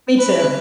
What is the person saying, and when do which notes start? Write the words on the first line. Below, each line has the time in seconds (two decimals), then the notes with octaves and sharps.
Me, too.
0.18 B4